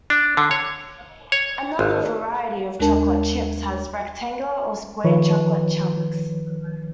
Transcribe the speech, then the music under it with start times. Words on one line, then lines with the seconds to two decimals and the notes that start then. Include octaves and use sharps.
Another variety of chocolate chips has rectangular or square chocolate chunks.
0.10 D4
0.37 D3
0.51 C#5
1.32 C#5
1.79 G#1
2.80 D#2 G#3 D4 A#4 A5
5.04 D#3 F3 B4 C#5